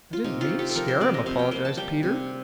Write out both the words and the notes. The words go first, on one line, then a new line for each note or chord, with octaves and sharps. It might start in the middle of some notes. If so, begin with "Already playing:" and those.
"I didn't mean to scare him," apologized Peter.
F4
C3 D#4
F4
A3
G4
A4
F3 A#4
C5
C3 D5
D#5
C3 F5
G5
A#3 G5
A5
G3 G5
C3